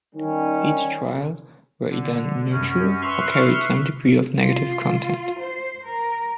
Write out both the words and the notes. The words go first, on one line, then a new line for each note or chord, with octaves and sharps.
Each trial were either neutral or carried some degree of negative content.
D#3 G3 C#4
D3
F#2 C#4
B4 E5 C6 C#6 F6 F#6
F4
C5
A#4